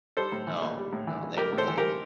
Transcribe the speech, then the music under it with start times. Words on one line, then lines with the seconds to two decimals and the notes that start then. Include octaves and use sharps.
No, no. They were, like
0.17 G3 A4 C5
0.32 A2
0.47 E3
0.62 A#1
0.77 G3
0.93 A2
1.07 E3
1.23 A#1
1.37 G3 G4 A#4
1.52 A2
1.58 A4 C5
1.68 E3
1.78 G4 A#4